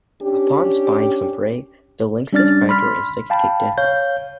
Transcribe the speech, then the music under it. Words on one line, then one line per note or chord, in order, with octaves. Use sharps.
Upon spying some prey, the lynx's predatory instinct kicked in.
C#4 D4 G4
G3 C#4 D4 D5 F6 A6
B5 C6 F6 B6
F5 G5 A5 B5
C#5 F5 G6